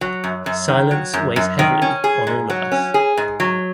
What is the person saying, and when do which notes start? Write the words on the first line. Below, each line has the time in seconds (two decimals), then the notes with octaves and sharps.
Silence weighs heavily on all of us.
0.01 F#3
0.24 F#2
0.46 F#2
0.68 D#3
0.91 F#3
1.13 F#2
1.36 F#2
1.59 D#3
1.82 C#4
2.04 G#4
2.27 G#2
2.50 F#3
2.72 C#4
2.94 G#4
3.17 G#2
3.40 F#3